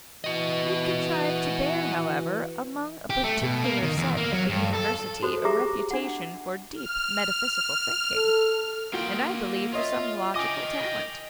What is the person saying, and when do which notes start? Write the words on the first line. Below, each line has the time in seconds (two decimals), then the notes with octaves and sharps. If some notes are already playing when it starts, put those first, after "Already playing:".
He contrived to bear, however, among a particular set at the university, a reputation for deep metaphysical thinking, and, I believe, for some logical talent.
0.24 E3 F#4 D#5
3.10 G4
3.24 A3
3.42 B2
3.64 A#3
3.82 D#3
3.97 E2
4.17 A#3
4.32 F#3
4.50 G2
4.73 A4
5.23 F#4 A4 C5
5.45 G4 G#4 E5 A#5 D6
5.91 D4 F#5
6.76 F6
8.14 A4
8.93 A#3 F4 F#4 G5
9.73 F4 C#5 D#5 E5
10.35 D#5 G5 G#5 D6 D#6